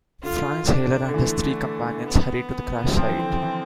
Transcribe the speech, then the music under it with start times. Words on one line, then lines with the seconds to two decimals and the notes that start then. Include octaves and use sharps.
Franz Hailer and his three companions hurried to the crash site.
0.23 D3 F4
0.69 D4
1.08 D3
1.14 E3 A3
2.06 B3
2.97 F3 C4
3.08 E3
3.19 D3
3.30 E3
3.42 E3